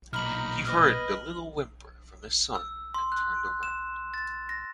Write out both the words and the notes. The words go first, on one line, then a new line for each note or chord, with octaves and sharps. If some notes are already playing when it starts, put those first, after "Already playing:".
He heard the little whimper from his son and turned around.
B1 A#2 D#4 A#5 B5 F6 F#7
B4 D#5 F6
E6
C6
F#6
E7
A6
A#6